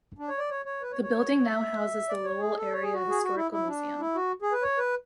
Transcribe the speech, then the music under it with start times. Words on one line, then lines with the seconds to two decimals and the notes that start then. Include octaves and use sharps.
The building now houses the Lowell Area Historical Museum.
0.18 D4
0.29 C#5
0.39 D5
0.50 C#5
0.65 C#5
0.82 B4
0.91 C#5
1.02 C#5
1.45 E5
2.09 D5
2.24 C#5
2.40 G#4
2.57 A4
2.72 C#5
2.82 G#4
2.94 F#4
3.10 G#4
3.23 F#4
3.36 E4
3.51 E4
3.68 D4
4.00 E4
4.16 F#4
4.42 G#4
4.52 B4
4.62 C#5
4.78 B4